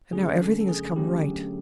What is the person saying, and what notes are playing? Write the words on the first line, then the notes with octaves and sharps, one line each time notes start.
And now everything has come right.
D3 F#3 A3 C#4 G#4
A4
A4
G#4
D3 F#3 A3 C#4 G4